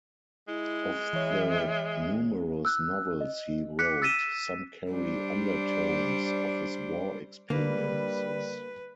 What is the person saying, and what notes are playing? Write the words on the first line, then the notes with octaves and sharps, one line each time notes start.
Of the numerous novels he wrote, some carry undertones of his war experiences.
G#3 E4
E3 C#5 E5
E6 F#6
D#5
D6 F#6 B6 C#7
E6 A6 B6 D#7 E7
G3 D4 C5
D3 G3 A#3 B4